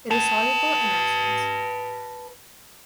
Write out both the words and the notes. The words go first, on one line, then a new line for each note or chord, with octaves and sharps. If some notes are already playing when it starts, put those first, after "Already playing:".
It is soluble in acids.
B4 A5